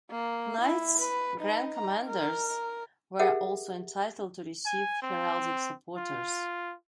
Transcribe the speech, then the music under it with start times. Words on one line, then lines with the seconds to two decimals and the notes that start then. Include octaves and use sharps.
Knights Grand Commanders were also entitled to receive heraldic supporters.
0.11 A#3
0.62 E4
0.98 B4
1.41 D#4
1.75 A#5
2.06 A#4
3.19 G4 G#4 A#4 E5 F#5
4.66 G#5
5.02 C4
5.96 F4